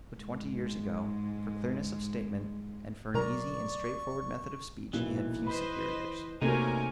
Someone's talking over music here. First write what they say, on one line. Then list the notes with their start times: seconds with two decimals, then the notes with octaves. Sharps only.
But twenty years ago, for clearness of statement, and for an easy and straightforward method of speech he had few superiors.
0.17 G#2 G#3
3.14 B2 F#3 A#4 D5 A#5 C#6
4.93 B1 A#2 E3
5.47 B4 C5 D#5 B5
6.42 C3 A3 A#3 C#4 D#4 F#4 A#4 G#5